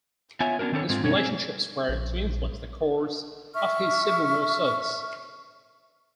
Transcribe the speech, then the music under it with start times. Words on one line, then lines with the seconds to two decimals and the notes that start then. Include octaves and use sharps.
These relationships were to influence the course of his Civil War service.
0.40 B3 F4 C#5 E5 G#5
0.59 B3 C#4 D4 F#4 A#4
0.72 D#3 C4 D4 A4 C#5
0.89 G#2 G#3 C4 F4
1.03 F#2 B2 G3 C#4 D#4 C#5
1.16 C4 G#4
1.89 A#1
3.55 E5 C#6 F6